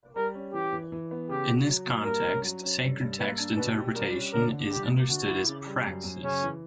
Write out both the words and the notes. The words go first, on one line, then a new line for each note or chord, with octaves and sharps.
In this context, sacred text interpretation is understood as "praxis".
G3 A#4
C#4
E3 G4
E3
E3
B3
C#3 G4
F#4
F#3
A#3
G2 A#4
C#4
F#3
C#4
G2
G2
A#3 B4
D4
B2 B4
G4
G3 A#4
C#4
D3 A#4
D3
G3 G4
A#3
D3 F#4
E4
C#3
G3
F#2
F#2
C#3 C#4
E3